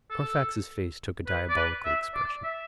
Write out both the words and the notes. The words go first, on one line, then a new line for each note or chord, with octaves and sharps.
Carfax's face took a diabolical expression.
A4
B4
D5
B4
E5
D5
E5